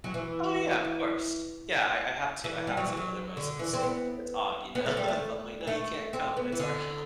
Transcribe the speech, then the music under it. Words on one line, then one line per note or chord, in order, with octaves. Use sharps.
Oh, yeah, of course. Yeah, I I have to I have to, otherwise, it's it's odd, you know? If I'm like, “No, you can't come,” but it's our house.
F#3
E3
E3
G3
F#3
E3
F#3
D3
E3
C4
B3
B3
A3
G3
A3
A3
C4
B3
E3
D3